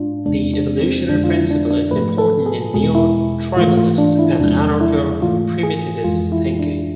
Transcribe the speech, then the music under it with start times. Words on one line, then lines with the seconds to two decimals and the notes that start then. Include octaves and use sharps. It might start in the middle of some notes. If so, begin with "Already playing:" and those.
The Evolutionary Principle is important in neo-tribalist and anarcho-primitivist thinking.
Already playing: G#2 G#3 D4 F4
0.26 E2 C3 G#3 D4
0.54 D4
0.81 C4
1.09 F2 D3 G#3 D4
1.24 F4
1.29 E4
1.50 D4
1.71 D4
1.91 G#2 F3 A3 B4
2.18 A4
2.46 G#4
2.74 E2 B2 G#3 G#4
2.95 E4
3.56 G#2 E3 A3 F4
3.77 F4
3.98 D4
4.19 E4
4.39 E2 C3 F3 G#3 D4
4.81 E4
5.22 G#2 E3 A3 F4
5.63 G#4
6.04 F2 E3 G#3 F4
6.32 E4
6.59 D4